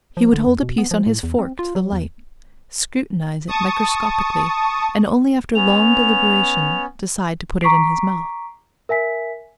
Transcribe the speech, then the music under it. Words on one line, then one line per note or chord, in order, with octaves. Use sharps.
He would hold a piece on his fork to the light, scrutinize it microscopically, and only after long deliberation decide to put it in his mouth.
F3
D3
F2
B2
B3
F3
A2
E2
C4
F4
F#3
E2
A5 C#6 D#6
B3 C#4 F7
A#5 C#6 D6 B6 C7 D7
A#4 E5 G#5 B6